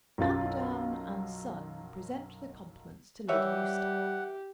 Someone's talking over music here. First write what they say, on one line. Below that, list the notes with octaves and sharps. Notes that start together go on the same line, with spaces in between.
Camperdown and Son present their compliments to Lady Eustace.
B1 F#2 F4 A6
E3 G3 G4 C#5 E5 F#5